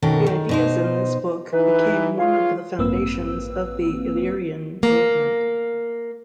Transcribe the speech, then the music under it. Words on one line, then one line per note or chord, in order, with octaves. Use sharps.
The ideas in this book became one of the foundations of the Illyrian Movement.
B2 D#3 C#4 A4 A#4
D#3
B2 D#4 C5
E3 D#4 B4
F4 G#4 C#5 F5
A1 G2 A#3 C4 B4 E6
A#3